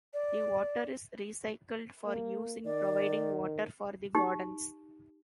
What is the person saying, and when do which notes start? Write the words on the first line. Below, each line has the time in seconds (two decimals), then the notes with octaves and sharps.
The water is recycled for use in providing water for the gardens.
0.14 D5
2.06 A#3
2.65 D#3 D5
4.15 D#4 G4